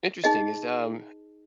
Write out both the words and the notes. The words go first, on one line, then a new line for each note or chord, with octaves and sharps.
Interesting, is, um,
D#4 G#4 D#5